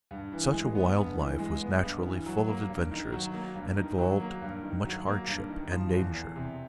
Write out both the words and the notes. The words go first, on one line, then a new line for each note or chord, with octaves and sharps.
Such a wild life was naturally full of adventures and involved much hardship and danger.
G2
E3
G#3
B3
G2
E3
G#3
B3
G2
E3
F#3
A#3
G2
D#3
F#3
A#3
G2
D#3
F#3
A#3
G2
D#3
F#3
A#3
G2
D#3
F3
E2
E2
C3